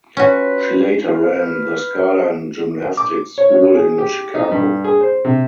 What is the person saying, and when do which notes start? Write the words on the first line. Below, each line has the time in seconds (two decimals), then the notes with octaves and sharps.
She later ran the Skyline Gymnastics school in Chicago.
0.17 C#4 F4 F#4 B4
1.14 B4 F6
2.97 D6
3.38 C#5
3.52 C#5
3.75 G#4
3.98 G4
4.35 D#4
4.52 G2
4.84 G#4
5.01 C5
5.25 C3